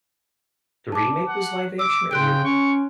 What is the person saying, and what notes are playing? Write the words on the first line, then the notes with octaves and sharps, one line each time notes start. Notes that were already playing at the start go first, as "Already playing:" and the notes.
the remake was live action or the
A5 D6
F#5
D6 E6
C#3 G5 C6 F#6 D7
C#4 C#6